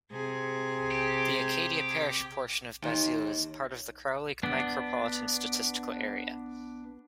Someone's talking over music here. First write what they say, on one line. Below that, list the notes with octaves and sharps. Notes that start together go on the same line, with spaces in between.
The Acadia Parish portion of Basile is part of the Crowley Micropolitan Statistical Area.
C3 G#4
G4
D#2
B3 D4